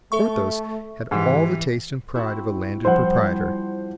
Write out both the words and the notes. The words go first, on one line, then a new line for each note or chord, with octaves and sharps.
Porthos had all the taste and pride of a landed proprietor.
A3 A4 E5 C#6
G#2 B2 E3 G4
C4 E4 F#4
F3 G3 E4 C5 F#5